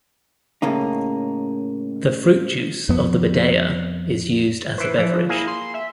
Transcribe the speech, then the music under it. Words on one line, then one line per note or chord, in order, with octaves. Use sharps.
The fruit juice of the badea is used as a beverage.
A2 C#3 A#3 D#4
F2 B3
E3 B4 C5
E3 F3
A#3 E4 G#4
C6
E5